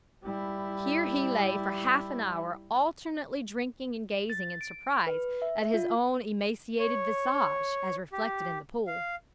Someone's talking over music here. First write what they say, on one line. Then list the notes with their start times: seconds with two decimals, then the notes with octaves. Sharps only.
Here he lay for half an hour alternately drinking and gazing in surprise at his own emaciated visage as reflected in the pool.
0.24 G3 E4
4.30 A6
4.61 D7
5.07 B4
5.42 E5
5.74 F4
6.78 C#5
8.12 G4
8.87 F5